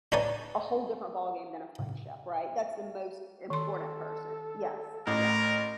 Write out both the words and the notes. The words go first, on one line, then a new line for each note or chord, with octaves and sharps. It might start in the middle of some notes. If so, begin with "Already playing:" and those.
a whole different ballgame than a friendship, right? That's the most important person. Yes. Yes.
D4 D#4 B4 C#5 D5 G#5
D#3 A4 C6
A1 A#4